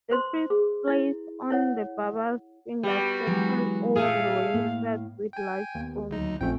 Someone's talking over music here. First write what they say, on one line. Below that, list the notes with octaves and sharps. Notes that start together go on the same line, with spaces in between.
The priests place on the barber's fingers certain old rings set with large stones.
C5 C6
G#4
E4
E4 C#5 F#5
G3 B3 F#4
E3 F#3 G#3
A#2 A3 G#4 F5
A2 A#3
G5 G#5
D#2 B3
D2 F#3 D#4
A#1 F2 A3 C#4 G5